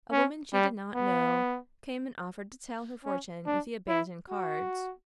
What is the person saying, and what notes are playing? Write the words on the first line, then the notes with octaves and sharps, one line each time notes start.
A woman she did not know came and offered to tell her fortune with the abandoned cards.
C#4
G3
B3
C#4
D4
E4
F#4